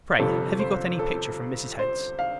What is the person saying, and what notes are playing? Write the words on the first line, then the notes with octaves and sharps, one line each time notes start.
Pray, have you got any picture from Mrs. Head's?
G1 F2 C3 A4
C5
A4
C5
F5